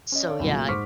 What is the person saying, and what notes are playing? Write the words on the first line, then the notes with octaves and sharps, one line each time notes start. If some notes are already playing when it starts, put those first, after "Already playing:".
So, yeah I
C#4 C#5 D#5
A4 C#5 D5 F5
C2 F#2 A#2 D#3
A#2 F#3 A3
G#2 C5 C#6 D6 F6 B6